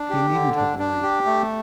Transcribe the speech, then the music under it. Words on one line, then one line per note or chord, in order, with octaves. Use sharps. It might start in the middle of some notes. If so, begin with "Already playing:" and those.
He needn't have worried.
Already playing: D4
G4
D3
D4
D4
G4
A3